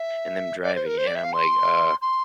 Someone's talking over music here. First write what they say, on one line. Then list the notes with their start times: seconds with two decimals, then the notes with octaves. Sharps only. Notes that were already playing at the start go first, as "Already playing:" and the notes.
and them driving, and I'm like, "Uh,"
Already playing: E5
0.63 D5
0.75 C5
0.86 A#4
0.98 C5
1.07 D5
1.15 E5
1.24 F5
1.33 C6
2.02 C6